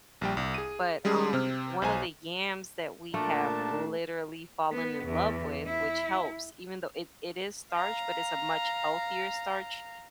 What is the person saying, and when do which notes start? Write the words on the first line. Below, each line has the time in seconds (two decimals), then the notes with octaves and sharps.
but, um, one of the yams that we have literally fallen in love with which helps even though it it is starch, but it's a much healthier starch,
0.21 A#1 G3 G5
0.37 C2
0.54 G#4 D#7
1.05 G3 G#3 C#4 G#4
1.33 C3 C4 F6
1.82 B1 C5 G#5 A#5
3.14 A#2 A3 D4 A5
4.72 B3
5.05 E2
5.65 E4
7.72 F5 A#5